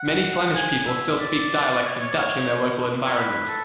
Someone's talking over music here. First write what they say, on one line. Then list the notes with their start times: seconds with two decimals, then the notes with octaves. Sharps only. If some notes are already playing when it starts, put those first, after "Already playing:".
Many Flemish people still speak dialects of Dutch in their local environment.
Already playing: F#5
0.55 G#5
0.87 E5
1.19 D5
1.84 C#5
1.92 D5
2.00 C#5
2.10 D5
2.18 C#5
3.05 C#5
3.15 B4
3.48 A4